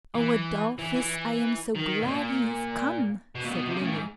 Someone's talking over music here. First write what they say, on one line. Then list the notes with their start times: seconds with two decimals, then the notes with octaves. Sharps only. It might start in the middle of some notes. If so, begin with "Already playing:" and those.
"Oh, Adolphus, I am so glad he has come," said Lily.
0.15 E3
0.79 E3
0.95 E3
1.75 D#3
2.02 B2
2.07 A#2
3.35 B2
3.45 A#2
3.51 B2
3.67 C3
3.75 C#3
3.84 A2
3.91 G#2